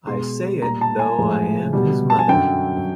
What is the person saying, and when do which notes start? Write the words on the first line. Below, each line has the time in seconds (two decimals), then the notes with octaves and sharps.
I say it, though I am his mother.
0.07 B2 G#3 C6
0.62 A#2 G3 A#5
0.81 A5
0.99 G#5
1.18 A2 F3 G#3
1.73 B2 G3
2.10 A5
2.19 G#5
2.28 F#2 D3 F#3 G5